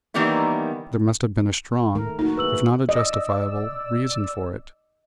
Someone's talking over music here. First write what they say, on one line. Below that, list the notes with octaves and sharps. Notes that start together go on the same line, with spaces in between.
There must have been a strong, if not a justifiable, reason for it.
D#3 E3 G3 A#3 B3 E4
D#3 A3 A#4
A#3 D#4 F#4
E4 G#4 B4 E6 F#7
D5 D#5 E6